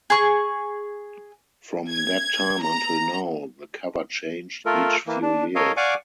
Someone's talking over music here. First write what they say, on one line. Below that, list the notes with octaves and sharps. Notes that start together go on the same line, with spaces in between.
From that time until now the cover changed each few years.
G#4 C#6
G#6
A#5
A3 F4 A4 A#4
E3 A#3
D4
A4 A#4 C#5 D#5 F5
D5 F5 F#5 G#5 C#6 D6